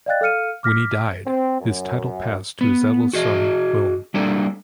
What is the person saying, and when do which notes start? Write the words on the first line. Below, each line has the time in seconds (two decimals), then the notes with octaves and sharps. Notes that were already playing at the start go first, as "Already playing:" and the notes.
When he died, his title passed to his eldest son Willem.
0.06 D5 D#5 F5 G5 F#6 A6
0.21 A4 F5 F6 C#7 D#7
0.63 D6 F6 A#6 B6
1.26 C4
1.61 F#2
2.61 B3
3.13 F#4 G#4 D#5
4.14 G3 A3 A#3 D4 A4